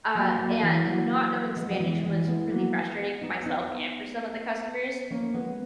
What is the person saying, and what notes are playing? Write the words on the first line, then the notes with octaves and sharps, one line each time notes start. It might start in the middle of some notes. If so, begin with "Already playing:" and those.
uh, and not knowing Spanish was really frustrating for myself and for some of the customers,
F#3 A#3
F#3 A#3
E3 G#3
F#3 A#3
G#3 B3
F#3
E3 G#3
E3 G#3
G#3 B3
F#3 A#3
G#3 B3
B3 D#4
B3 D#4
A#3 C#4
G#3 B3